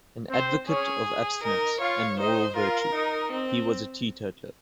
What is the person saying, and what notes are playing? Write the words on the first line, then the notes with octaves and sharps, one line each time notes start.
An advocate of abstinence and moral virtue, he was a teetotaler.
C4 C5
C#4 G#4 C#5
D#4 A#4 D#5
F4 C#5 F5
D#4 C5 D#5
F4 A#4 F5
D#4 D#5
C4